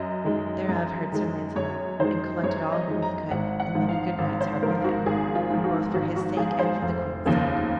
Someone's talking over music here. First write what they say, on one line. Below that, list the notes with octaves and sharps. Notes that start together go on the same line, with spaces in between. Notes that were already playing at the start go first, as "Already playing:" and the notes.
Thereof heard Sir Launcelot, and collected all whom he could; and many good knights held with him, both for his sake and for the queen's sake.
Already playing: F#2 D#5
D#3 G#3
F#2
D#3 G#3
F#2 C#5
D#3 G#3 C5
F#2 C#5
D#5
D#3 G#3
A#5
G#1 F#5
F#5
G#2 F3
F5
G#1
C5
G#2 F3 A#4
F#4
G#1 G#4
F4
G#2 F3
F#4
G#1 F#4
F#4
G#2 F3 G#4
C5
F1
D#2 C#3 F3 A#3